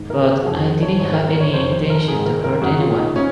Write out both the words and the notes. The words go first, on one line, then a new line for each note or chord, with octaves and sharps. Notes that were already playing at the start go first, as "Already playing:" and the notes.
But I didn't have any intention to hurt anyone.
Already playing: G#2 D#3
A#4
G#4
F#4
F2 D#3 G#4
C5
C#5
G#2 D#3 C5
A#4
A#4
C#5
F2 D#3 C5
C5
A#4
G#2 D#3 G#4
A#4
A#4
F#2 C#3 F#4
F4
D#4
C#4